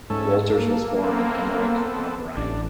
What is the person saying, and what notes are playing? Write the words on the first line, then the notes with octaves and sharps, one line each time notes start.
Wolters was born in Emmerich am Rhein.
G#2 A3 C#4 A4
A#3 A4
B3 C4 A4
A1 D4